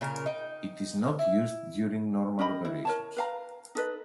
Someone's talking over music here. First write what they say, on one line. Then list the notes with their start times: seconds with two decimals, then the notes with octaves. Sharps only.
It is not used during normal operations.
0.01 A#2 C#3 A#4
0.26 D#4 G5
1.19 E4
2.39 C#4 G4 D#5 B5
2.65 E4
2.85 A#4 C#5 A5
3.17 B4 F5 A#5
3.75 D#4 A4 B4 D#5